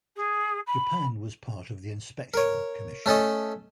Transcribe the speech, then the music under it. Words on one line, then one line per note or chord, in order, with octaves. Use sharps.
Japan was part of the inspection commission.
G#4
B5
A#4 C#5
A3 C#4 A4 D#5